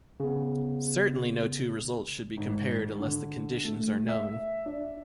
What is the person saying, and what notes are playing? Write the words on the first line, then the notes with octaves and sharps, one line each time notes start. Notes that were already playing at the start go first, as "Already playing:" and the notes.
Certainly no two results should be compared unless the conditions are known.
C#3 B3
G#1
D3
A3
E5
D4